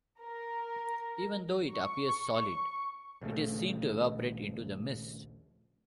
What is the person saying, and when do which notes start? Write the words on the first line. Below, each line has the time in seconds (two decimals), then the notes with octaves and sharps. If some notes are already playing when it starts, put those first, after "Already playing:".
Even though it appears solid, it is seen to evaporate into the mist.
0.21 A#4
1.72 C#6
3.21 A#1 D#2 C#3 A3